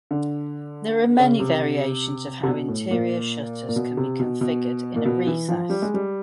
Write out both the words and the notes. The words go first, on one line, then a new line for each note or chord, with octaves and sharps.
There are many variations of how interior shutters can be configured in a recess.
D3
C#3
C3
C3
B2
A2
A#2
A#2
B2
C3
B2
B2
A#2
B2
E3
F3
G3
G#3
G3